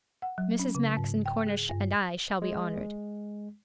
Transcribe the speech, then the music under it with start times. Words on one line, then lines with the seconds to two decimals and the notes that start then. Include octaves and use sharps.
Mrs. Max and Cornish and I shall be honored.'
0.22 F#5
0.38 F#3
0.60 C#4
0.75 C#3
0.97 G#2
1.26 G5
1.47 G#4
1.69 G2
2.42 G#3